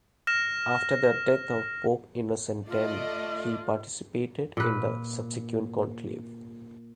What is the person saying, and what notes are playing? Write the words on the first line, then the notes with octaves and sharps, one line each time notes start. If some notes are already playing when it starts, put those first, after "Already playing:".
After the death of Pope Innocent X, he participated in the subsequent conclave.
F6 A#6 E7
A3 F4 D5 D#5
A#2 B4